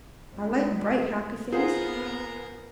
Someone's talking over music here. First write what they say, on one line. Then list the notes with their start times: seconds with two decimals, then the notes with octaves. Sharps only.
I like bright, happy things.
0.33 C#2
1.52 B3 F4 G#4 A#4 C5 F#5